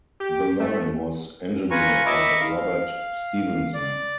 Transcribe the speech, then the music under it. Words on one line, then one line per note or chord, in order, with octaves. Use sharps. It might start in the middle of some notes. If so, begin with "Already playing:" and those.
The line was engineered by Robert Stephenson.
G4
A3
F4 B4 G#5 A#5 C#6
D#5 E5 A#5 B5 C#6 D6
F5
D5